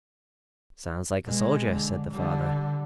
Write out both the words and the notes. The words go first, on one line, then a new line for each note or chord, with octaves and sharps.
"Sounds like a soldier," said the father.
B2 G#3
D3
D3 G3